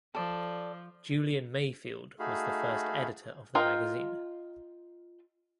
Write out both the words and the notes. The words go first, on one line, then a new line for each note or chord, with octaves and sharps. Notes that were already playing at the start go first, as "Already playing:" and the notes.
Julian Mayfield was the first editor of the magazine.
F3 A4 D5
A3 D#4 F#4 G#4 F5 B5
F4 A#4 D#5 G5